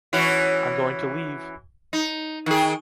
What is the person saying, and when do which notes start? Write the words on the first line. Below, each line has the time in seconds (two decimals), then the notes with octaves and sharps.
I’m going to leave! ...
0.13 E3 C#4 F#4
1.93 D#4
2.46 D#3 G#4